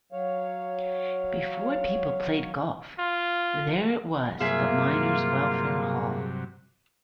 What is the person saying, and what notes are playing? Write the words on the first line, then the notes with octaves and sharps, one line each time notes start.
Before people played golf there it was the Miners' Welfare Hall.
F#3 C#5 F5
F4
G2 C3 F#3 A#3 F4 G#4 E5